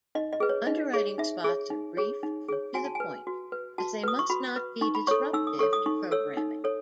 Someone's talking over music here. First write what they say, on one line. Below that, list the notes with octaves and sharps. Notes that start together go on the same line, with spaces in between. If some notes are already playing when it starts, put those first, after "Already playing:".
Underwriting spots are brief and to-the-point, as they must not be disruptive to programming.
D#4 D#5
D#5
G#4 B4
C#5
D#4 D#5
G#4 C#5
D#4 E5
G#4 C#5
D#4
G#4 C#5
D#4
G#4 C#5
F#4 G#5
A5
G#5
B4
F#4
B4
F#4 A5
B4 D#6
C#6
F#4 B5
B4
D#4 C#6
B5
A4 C#5 C#6
D#4 E6
D#6
A4 C#5 C#6
D#6
D#4 C#6
A4 C#5 E6
D#4
A4 C#5